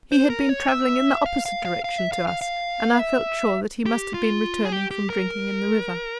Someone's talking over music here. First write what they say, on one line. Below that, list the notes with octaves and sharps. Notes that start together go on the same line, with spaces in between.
He had been travelling in the opposite direction to us, and I felt sure that he must have been returning from drinking in the river.
C5
A#4
C#5
E5
F5
F5
F5
F5
E5
F5
F5
F5
E5
G4
F4
G#4
G4
G4
A#4